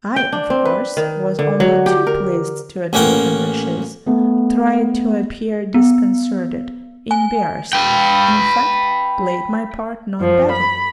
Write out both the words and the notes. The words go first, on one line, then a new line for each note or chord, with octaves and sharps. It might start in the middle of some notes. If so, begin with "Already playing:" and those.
I, of course, was only too pleased to obey her wishes, tried to appear disconcerted, embarrassed, in fact played my part not badly.
G5
D4
C4
B4
D#3
D3
F#3
G4
A#4
A1 A#3 C#4 F#5 G5 A#5
A3 B3
B3
G#5
B4 G5
F#2 F3
B5